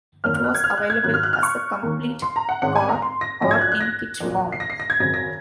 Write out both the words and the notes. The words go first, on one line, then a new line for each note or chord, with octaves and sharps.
It was available as a complete car or in kit form.
G#1 F#2 D#3 A#3 C#4 F6
F6
F#6
G#6
F6
F#6
G#6
G#2 D#3 F#3 C#4 F#6
F6
F#6
F6
C#6
D#2 D#3 A#3
C6
A#5
F#5
G#1 G#2 D#3 G#3 C#4 F#5
G#5
A#5
C6
A#6
A#1 G#2 F#3 C#4 A#6
G#6
F#6
F#6
A#6
A#1 A#2 F#3
C7
A#6
C7
A#6
G#6
G#1 F#2 C#3 F#3 C4 A#6
A#6